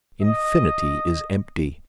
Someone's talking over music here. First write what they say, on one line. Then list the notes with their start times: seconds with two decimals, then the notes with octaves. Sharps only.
Infinity is empty.
0.22 D#5